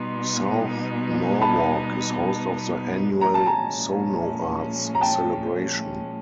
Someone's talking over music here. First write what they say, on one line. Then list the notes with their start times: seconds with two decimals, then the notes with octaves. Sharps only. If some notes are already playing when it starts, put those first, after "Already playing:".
South Norwalk is host of the annual SoNo Arts Celebration.
Already playing: B2 G3 B3 D#4 C6
1.41 A5 B5
3.21 A#2 F3 G#3 C#4 A#5
3.34 A5
3.46 G#5 A#5
4.95 A#5
5.01 G5 A5